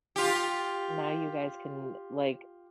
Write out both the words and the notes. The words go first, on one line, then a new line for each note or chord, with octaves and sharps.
Now you guys can, like,
F4 G4